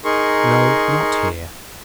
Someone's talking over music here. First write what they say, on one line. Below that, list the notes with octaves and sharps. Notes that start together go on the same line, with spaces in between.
No; not here.
D#4 G#4 A#4 C6 C#6